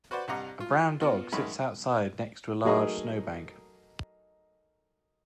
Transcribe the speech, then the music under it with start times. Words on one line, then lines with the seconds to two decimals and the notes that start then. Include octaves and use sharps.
A brown dog sits outside next to a large snowbank.
0.11 F#4 B4 C5 D5 F#5
0.28 C2 G2 D#5 F#5 A#5 D6
0.60 F4
1.01 B2 B3 F4 F#4
1.32 F#2 D#3 G#3 A3 C#4 B5
2.65 F#3 A3 D#4 G#4 A#4 D#5